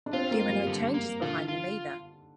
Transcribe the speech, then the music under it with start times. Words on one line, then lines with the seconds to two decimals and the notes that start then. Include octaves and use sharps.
There were no changes behind them either.
0.06 D4
0.13 C4 F4
0.31 A#3
0.40 F4
0.49 G3
0.67 D3
0.94 A#3
1.22 D3 F4
1.48 F4